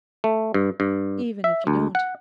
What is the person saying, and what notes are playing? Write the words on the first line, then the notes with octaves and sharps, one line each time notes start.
Even if you don't.'
A3
G2
G2
E5
D2
F#5